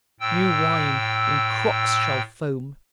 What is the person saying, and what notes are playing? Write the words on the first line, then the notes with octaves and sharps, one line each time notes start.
New wine, in crocks Shall foam!
A2 G5 E6